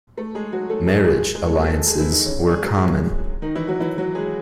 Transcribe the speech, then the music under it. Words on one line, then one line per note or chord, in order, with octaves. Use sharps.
Marriage alliances were common.
A3 A4
G#3 G#4
F#3 F#4
A3 A4
G#3 G#4
G#3 G#4
G#3 G#4
A3 A4
F#4
G#3 G#4
A3 A4
G#3 G#4
E3 E4
D#3 D#4
C#3 C#4
G#3 G#4
F#3 F#4
G#3 G#4
D#3 D#4
E3 E4
F#3 F#4
E3 E4
F#3 F#4
G#3 G#4